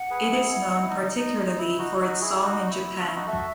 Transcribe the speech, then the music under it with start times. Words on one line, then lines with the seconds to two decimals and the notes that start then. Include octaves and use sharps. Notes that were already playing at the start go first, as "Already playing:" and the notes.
It is known particularly for its song in Japan.
Already playing: F#5
0.11 G#4 B4
0.31 E4 G#4
0.53 E4
0.74 D#4
0.83 E4
0.90 D#4
1.16 D#4
1.47 D#4
1.58 E4
1.79 D#4 F#4
2.01 D#4 F#4
2.21 E4 G#4
2.42 D#4 F#4
2.70 E4
2.98 F#4
3.07 E4
3.16 D#4 F#4
3.27 F#4 A4 E5